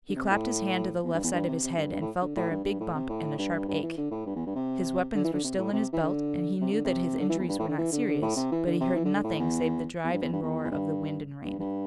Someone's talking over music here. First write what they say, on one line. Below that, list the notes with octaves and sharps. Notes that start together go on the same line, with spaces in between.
He clapped his hand to the left side of his head, and felt there a big bump and a sharp ache. His weapons were still in his belt and he knew that his injuries were not serious, but he heard nothing save the drive and roar of the wind and rain.
D3
C3
A2
E2
G2
E2
G2
C3
C3
G2
G2
A2
D3
A2
G2
G2
A2
C3
A2
G2
G2
E3
D3
A2
G2
E2
G2
C3
D3
E3
D3
C3
A2
C3
E3
D3
C3
D3
C3
D3
E3
E2
G2
A2
D3
E3
D3
D3
A2
C3
E3
D3
C3
E3
D3
D3
A2
E2
E2
G2
E2
G2
E2
E2
G2
G2
G2